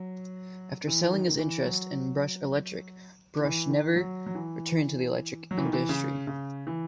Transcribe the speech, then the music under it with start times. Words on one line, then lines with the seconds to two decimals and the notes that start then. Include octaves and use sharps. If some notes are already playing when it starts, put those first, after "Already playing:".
After selling his interests in Brush Electric, Brush never returned to the electric industry.
Already playing: F#3
0.87 E3
1.13 D#3
1.28 D#3
1.39 E3
1.65 F#3
3.40 D#3
3.45 E3
3.70 D#3
3.96 F#3
4.26 F#3
4.35 E3
5.51 F#3
5.58 E3
5.65 D#3
5.73 E3
5.89 C#3
6.27 C#3
6.67 E3